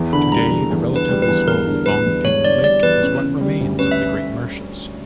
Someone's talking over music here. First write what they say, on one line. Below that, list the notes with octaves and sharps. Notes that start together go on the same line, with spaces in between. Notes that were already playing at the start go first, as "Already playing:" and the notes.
Today the relatively small Dongping Lake is what remains of the great marshes.
Already playing: E2
D3 B5
G3 A#5
E2
E2
D3
B4
G3
B4
E2
E2 A#4
D3
G3 B4
E2
E2 C#5
D3 D5
G3 D5
E2 B4
C#4
C#3
G3
D2
C#4 B4
E5